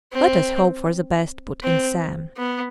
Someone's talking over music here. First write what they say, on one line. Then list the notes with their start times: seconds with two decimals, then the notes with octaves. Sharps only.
"Let us hope for the best," put in Sam.
0.13 C4
1.63 C4
2.37 B3